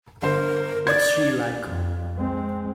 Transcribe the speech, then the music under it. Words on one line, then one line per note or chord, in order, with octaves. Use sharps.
What's she like?
G1 A#4 C5
D5 G#6
F2
G#3 C4